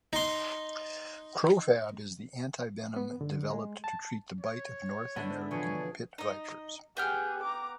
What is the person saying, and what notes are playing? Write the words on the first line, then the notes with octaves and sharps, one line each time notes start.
Crofab is the antivenom developed to treat the bite of North American pit-vipers.
D#4 C6
B3
D3
G#3
A5
C#5
D3 G#3 B3 D4 E4
B2 D3 E3 F3 G#4 C#5
D#4 D#5
B3 G4 G#4 G5 F6
A#5 D6